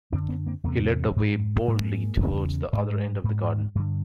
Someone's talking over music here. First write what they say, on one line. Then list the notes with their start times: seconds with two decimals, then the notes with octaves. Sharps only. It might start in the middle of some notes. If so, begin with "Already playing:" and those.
He led the way boldly towards the other end of the garden.
0.12 F#2 D3 C4 D4
0.29 B3 C#4
0.46 A#3 C4
0.64 E2 C3 A3 B3
1.16 G#2
1.68 G#2 G#3 A#3
2.20 E2 C#3
2.73 G#2
3.24 G#2
3.75 G2 D3 F#3 G#3